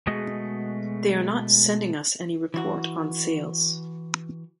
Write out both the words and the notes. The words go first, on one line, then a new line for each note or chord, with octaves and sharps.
They are not sending us any report on sales.
B2 G#3 A3 F#4 G#4 D#5
E3 F#4